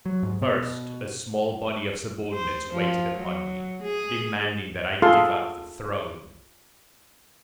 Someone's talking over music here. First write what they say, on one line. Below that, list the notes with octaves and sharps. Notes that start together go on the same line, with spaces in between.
First, a small body of subordinates waited upon me, demanding that I give up the throne.
F#3
G#2
B2
C5
F3
F#3
G#4
F4 G#4 A4 F5 C6